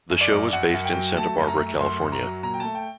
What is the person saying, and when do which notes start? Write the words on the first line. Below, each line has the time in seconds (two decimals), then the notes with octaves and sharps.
The show was based in Santa Barbara, California.
0.11 F#2
0.21 D5
0.32 F#2
0.52 F#2 F#5
0.74 F#2
0.84 G5
0.96 F#3
1.16 A3 A5
1.38 F#2
1.48 A#5
1.59 A3
1.80 F#2 C6
2.01 F#2
2.12 A#5
2.22 F#3
2.43 A#2 A#5
2.54 G5
2.60 A3 A5
2.75 G5